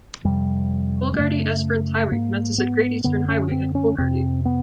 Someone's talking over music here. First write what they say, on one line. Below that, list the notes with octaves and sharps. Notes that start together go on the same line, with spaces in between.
Coolgardie-Esperance Highway commences at Great Eastern Highway at Coolgardie.
F2 C3 G3
G#3
F#2 C#3 A3
G#2 A#3
B3
F#2 D3 B3
C#4
C4
C#4
F2 C3 C4
B3